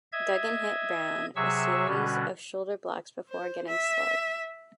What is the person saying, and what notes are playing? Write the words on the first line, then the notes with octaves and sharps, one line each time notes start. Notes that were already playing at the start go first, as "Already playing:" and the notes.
Duggan hit Brown a series of shoulder blocks before getting slugged.
D#5 E5 G#6
C3 F#3 G#4 E5 C#6 E6
B2 D3 G3 C#4 F#4
C5
E5